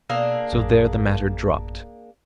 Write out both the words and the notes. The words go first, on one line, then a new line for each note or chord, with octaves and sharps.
So there the matter dropped.
B2 A#3 D4 G#4 F5 E6
A1 F#2 A5